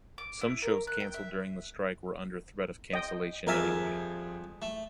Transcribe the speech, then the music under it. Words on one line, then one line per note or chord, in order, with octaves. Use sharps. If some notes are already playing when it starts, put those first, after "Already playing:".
Some shows cancelled during the strike were under threat of cancellation anyway.
D6
E4
A#4
F#6
G5
E5
D#5 G5
F2 F3 G3 G#4 A#4 E5 G#5 A5
A3